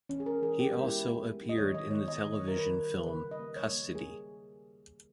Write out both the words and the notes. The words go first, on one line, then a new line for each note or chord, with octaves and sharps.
He also appeared in the television film "Custody".
E3 C#4
G#4
G#3 A#4
E3 G#4
B3 G4
G#3
E4
B3
B3
B3
G3
D#5
D#3 C#5
D#3 D#5
D#3 C#5
B3 D#5
D#3
C#5
G3
A#4
D#3 B4
G3
D#3
C#3 B4
G3
D#5
A#3
G3 C#5
A#3
G3
G#4